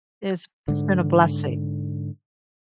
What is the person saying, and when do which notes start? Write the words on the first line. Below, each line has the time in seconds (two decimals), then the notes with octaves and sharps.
It's it's been a blessing.
0.68 G#2 D3